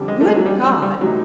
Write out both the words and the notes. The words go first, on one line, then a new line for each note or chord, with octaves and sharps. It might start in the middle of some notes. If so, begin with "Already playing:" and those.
"Good God!"
Already playing: F2 D3 G3
G#3
A3
G#3
F#3
G3
G3
G3
C3 E3 F#3 A3 C4 D#4